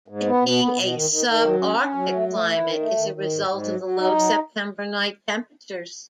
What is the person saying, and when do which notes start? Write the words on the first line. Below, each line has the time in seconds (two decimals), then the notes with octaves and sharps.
It being a subarctic climate is a result of the low September night temperatures.
0.08 G#2
0.26 B3
0.42 B2
0.59 B3
0.76 B2
0.93 D#3
1.10 D#3
1.27 D#3
1.44 F#3
1.61 C#4
1.78 C#4
1.95 F#3
2.12 A3
2.29 A3
2.46 E4
2.63 D#3
2.80 A3
2.97 D#3
3.14 D#3
3.31 G#2
3.48 G#2
3.65 F#3
3.81 F#3
3.99 D#4
4.15 F#3